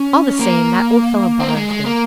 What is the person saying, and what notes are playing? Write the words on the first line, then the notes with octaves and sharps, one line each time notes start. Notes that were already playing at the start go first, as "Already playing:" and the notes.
"All the same, that old fellow bothers me."
Already playing: C#4
A#3
C4
A#3
G#3
G#3
A#3